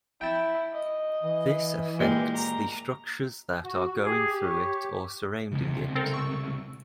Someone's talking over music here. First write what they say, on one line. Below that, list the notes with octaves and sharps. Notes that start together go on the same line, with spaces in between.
This affects the structures that are going through it or surround it.
E4 G5 A5
D#5
E3
A#2 G#3 G4
A#5
F#4
G4 G#4
C#5
C#2 C3
C4 A4 A#4
C#6 E6